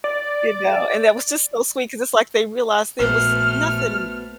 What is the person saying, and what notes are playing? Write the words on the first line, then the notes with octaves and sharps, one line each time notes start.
you know, and that was just so sweet, 'cause it's like they realized there was nothing
D5
A#1 A3 B3 F#4 C5 F6